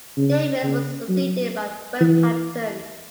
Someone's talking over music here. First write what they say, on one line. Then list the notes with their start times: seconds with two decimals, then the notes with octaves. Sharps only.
Davis was succeeded by Philip Hampton.
0.17 C#3
0.63 C#3
1.09 F#3
2.01 E3